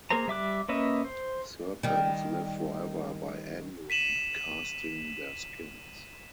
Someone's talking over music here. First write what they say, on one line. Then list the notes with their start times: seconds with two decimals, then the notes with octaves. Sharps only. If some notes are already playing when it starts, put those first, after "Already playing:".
Serpents live forever by annually casting their skins.
0.10 A#3 G#4 A#4 C5 A#5
0.28 G3 E5 D6 F#6
0.69 A#3 C#4 B4 D#5 E5
1.05 C5
1.83 D#3 G3
3.90 B6 D#7 E7 F#7